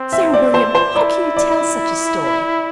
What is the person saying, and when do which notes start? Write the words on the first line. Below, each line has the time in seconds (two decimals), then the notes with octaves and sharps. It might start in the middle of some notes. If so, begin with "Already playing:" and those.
Sir William, how can you tell such a story?
Already playing: C4
0.12 E5
0.34 D5
0.54 C5
0.75 C5
0.95 E4 D5
1.37 D5